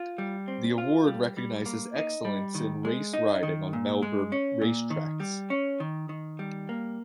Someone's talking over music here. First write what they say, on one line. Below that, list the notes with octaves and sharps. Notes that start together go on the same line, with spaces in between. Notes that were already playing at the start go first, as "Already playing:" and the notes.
The award recognises excellence in race riding on Melbourne racetracks.
Already playing: F4
G3
C4
F4
G3
G3
A#3
D#4
G3
D#3
G#3
D#4
D#3
A#2
G#3
C#4
A#2
D#3
G3
C#4
D#3
D#3
G3
A#3